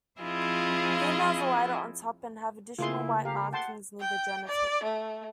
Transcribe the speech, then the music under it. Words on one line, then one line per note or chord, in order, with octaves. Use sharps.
Females are lighter on top and have additional white marking near the genitals.
F3 C4 E4 F4 G#4 D#5
C#3 A3 A#3 E4 F4 G#4 C6
G4 F5 A#5
F#5 G5 A5 C6
G5
D5
A3